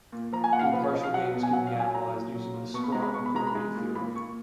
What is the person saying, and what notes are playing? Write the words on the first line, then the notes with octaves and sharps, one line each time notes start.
Impartial games can be analyzed using the Sprague-Grundy theorem.
A#2
F3 A#5
G#5
A#2 F#5
F5
F#5
F3 B4
C#5
F3 D#5
F5
F#3 F#5
B2
G#5
F#3 F#5
F5
F#3
G#5
F#3 A#5
A#2
F#3
A#2
B2 C#6
B5
G#3 A#5
B5
B2 C#6
B5
G#3 A#5
B5
G#3
A#2
A#2 B5
A#2 C#6